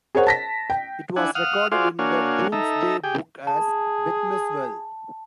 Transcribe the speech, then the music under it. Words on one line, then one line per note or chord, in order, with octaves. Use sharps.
It was recorded in the Domesday Book as Betmeswelle.
G#4 A#4 C5 C#5 F#5
A5 A#6 B6
G5
D4 E4 F#5 G#5
F5 F#5 D#6 F6
F4 F#4 G#4 C5 D5 F5
A#3 D4 F#4 C#5 F5 G#5
D#4 A4 E5 A#5
G4 G#4 G5
G#4 A5